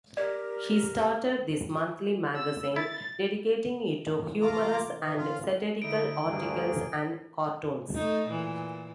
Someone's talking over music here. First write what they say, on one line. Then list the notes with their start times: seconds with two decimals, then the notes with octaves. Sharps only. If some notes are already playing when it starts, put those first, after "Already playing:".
He started this monthly magazine, dedicating it to humorous and satirical articles and cartoons.
0.17 G4 A#4 D5
2.36 E6
2.76 E4 A6
4.19 C3 E3
4.42 F4 A#5 D6
5.00 E3
5.18 D3 E3 C#4 F4
5.82 D3 D#4 E4 D7
6.28 D2 G2 A#3 G#4
7.94 A3 D#4
8.26 A#2 E3